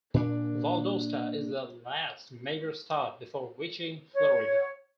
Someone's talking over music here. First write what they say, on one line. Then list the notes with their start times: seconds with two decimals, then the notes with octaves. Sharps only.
Valdosta is the last major stop before reaching Florida.
0.14 A#2 D4
4.14 C#5